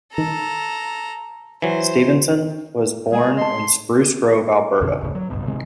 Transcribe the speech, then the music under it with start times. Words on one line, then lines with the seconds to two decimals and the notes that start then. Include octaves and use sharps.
Stevenson was born in Spruce Grove, Alberta.
0.13 A4 A#5
1.62 E3 F#3 C5
3.12 G#3 G#4
3.37 D#5 A5 C6
4.81 A1 F2 B2 D3
5.00 G1 D#2 A2 C#3
5.15 F#3
5.30 G#1 C#2 G2 B2
5.47 A2 C3 D#3 G#3